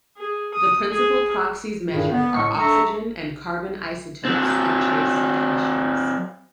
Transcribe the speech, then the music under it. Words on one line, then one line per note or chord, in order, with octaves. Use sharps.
The principal proxies measured are oxygen and carbon isotopes and trace cations.
G#4
D#6
G#4
G2 A#2 D#3 E4 G#4
B3
A2 G#3 C#6
D4 A4 E5 A#5 C#6
F#3 C4